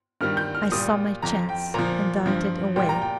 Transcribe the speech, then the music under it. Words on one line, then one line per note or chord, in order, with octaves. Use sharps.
I saw my chance, and darted away.
G2 D#3 G3 F6
G6
F6
A#2 G3 D#6
F2 F3 A#5
G5
A#2 F3 A#5
G2 F3
A#2 G3 G5
A#5
G5